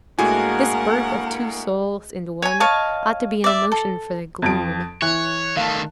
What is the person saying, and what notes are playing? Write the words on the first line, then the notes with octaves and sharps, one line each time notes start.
This birth of two souls into one, ought to be an emotion for the gloom.
A2 G#3 A#3 D4 F#4 A#4 F#5 G#5
C#5 G#5
C#5 D#5 F5 A5
D5 E5
A4
F2 F3 D7
E3 C#5 F#6
D#3 A3 F5 A5